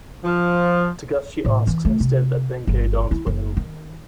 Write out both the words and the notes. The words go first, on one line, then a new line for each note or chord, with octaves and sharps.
Togashi asks instead that Benkei dance for him.
F3
A2
E3
A3
C3
G1
E4
F#1
D#3